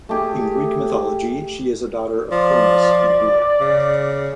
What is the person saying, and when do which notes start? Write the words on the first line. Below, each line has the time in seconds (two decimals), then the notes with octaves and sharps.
In Greek mythology, she is a daughter of Cronus and Rhea.
0.09 A3 G4 G#4
2.31 F3 D5
3.60 C#3